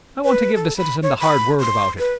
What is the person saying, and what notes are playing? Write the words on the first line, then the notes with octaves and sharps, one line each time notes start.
I want to give the citizen the hard word about it.
B4
A4
B5
C#5
B5
C6
B4